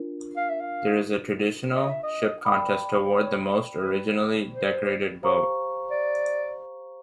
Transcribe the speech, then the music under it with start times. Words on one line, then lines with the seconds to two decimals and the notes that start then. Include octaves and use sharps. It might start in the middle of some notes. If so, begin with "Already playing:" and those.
There is a traditional ship contest to award the most originally decorated boat.
Already playing: D4 F4 A#4
0.37 F5
0.49 E5
0.61 F5
1.75 D#5
1.90 E5
2.03 D#5
2.45 A#4 D5 G5 B5 D6
3.05 C5
3.14 C#5
3.83 B4
4.52 C5
5.22 G4 C5 F5 A#5 C#6
5.91 D5